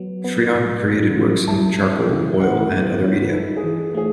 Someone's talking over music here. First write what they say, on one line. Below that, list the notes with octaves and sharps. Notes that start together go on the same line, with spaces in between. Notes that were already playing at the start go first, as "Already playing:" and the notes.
Friant created works in charcoal, oil, and other media.
Already playing: F#3 B3
B3
A2
A2
F#3
E4 A5
C#4
E3
E4 F#5
B3
E4 C#5
B4
D#4 A4
G#4
E3
A3 G#4